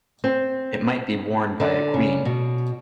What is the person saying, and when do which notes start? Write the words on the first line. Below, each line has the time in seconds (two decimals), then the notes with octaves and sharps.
It might be worn by a queen.
0.24 C4
1.60 D3
1.94 C#3
2.25 B2